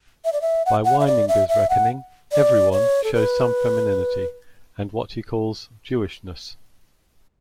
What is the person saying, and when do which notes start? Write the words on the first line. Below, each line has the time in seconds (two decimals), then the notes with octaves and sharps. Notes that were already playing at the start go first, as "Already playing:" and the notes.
By Weininger's reckoning "everyone" shows some femininity, and what he calls "Jewishness".
0.25 E5
0.33 D5
0.41 E5
0.66 F#5
0.85 F#5
1.00 E5
1.06 D5
1.28 E5
1.48 E5
1.70 F#5
2.32 D5
2.72 C#5
3.04 A4
3.14 B4